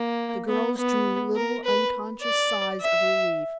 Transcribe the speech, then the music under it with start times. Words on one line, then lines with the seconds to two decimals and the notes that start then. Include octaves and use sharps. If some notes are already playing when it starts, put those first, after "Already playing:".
The girls drew little unconscious sighs of relief.
Already playing: A#3
0.48 B3
0.77 B3
1.36 A#4
1.65 B4
2.22 D5
2.81 E5